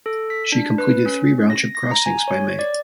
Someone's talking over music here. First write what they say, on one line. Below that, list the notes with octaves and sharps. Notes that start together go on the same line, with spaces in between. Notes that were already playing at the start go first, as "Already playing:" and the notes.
She completed three round-trip crossings by May.
A4
B6
D4
B4
C#4
A#6
A#6
A#5
G#5
C#5
D5